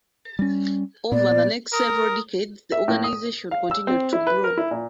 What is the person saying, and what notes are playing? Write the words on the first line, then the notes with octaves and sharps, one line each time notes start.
Over the next several decades the organization continued to grow.
G3 C#4
A#2 B3 D5
A#4 D#6
E5
A2
D#6
F5
E6
C4
E4
B4
A#4
E4
A#2